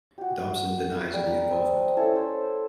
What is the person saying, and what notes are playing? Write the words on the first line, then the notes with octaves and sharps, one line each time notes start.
Dobson denies any involvement.
F#4 G4
G3 A#4 G5
C4 A5 D#6
C#4 E4 A4
C5